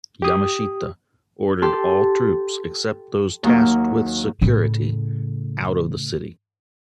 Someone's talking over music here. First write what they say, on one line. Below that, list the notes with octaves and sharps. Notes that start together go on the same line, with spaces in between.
Yamashita ordered all troops, except those tasked with security, out of the city.
G4 D#6
G4 A4 C6
D#2 F#3 A#3
A2 C#3